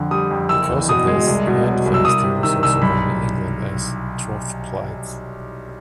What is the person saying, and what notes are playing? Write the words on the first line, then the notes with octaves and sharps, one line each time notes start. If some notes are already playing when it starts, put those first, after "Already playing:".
Because of this, handfasting was also known in England as "troth-plight".
Already playing: F2 D3
G3 D#6
F2
F#1 E6
E2
B2 D#6
G#3
C2
B2
F#3
C2
E6
C2 D#6
C3
D#3 E6
C2 E6
B1 B5